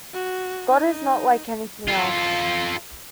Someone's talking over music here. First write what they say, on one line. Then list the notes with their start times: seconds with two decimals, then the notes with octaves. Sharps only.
God is not like anything else.
0.13 F#4
0.69 D#4
1.88 F4 A4